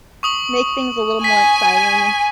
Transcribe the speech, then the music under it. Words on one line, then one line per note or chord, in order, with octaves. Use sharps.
make things a little more exciting and
C#6 D#6 F#7
G#5 B6